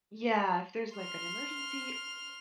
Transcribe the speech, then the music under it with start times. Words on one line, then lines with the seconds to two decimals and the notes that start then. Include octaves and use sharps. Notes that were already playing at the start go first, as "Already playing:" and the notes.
yeah, if there's, like, an emergency
0.97 C6 F6